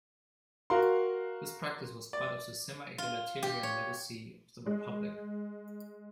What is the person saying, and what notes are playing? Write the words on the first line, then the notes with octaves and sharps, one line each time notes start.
This practice was part of the semi-egalitarian legacy of the Republic.
F#4 A#4 F5 C6
D5
F4
G4
C#5
G#3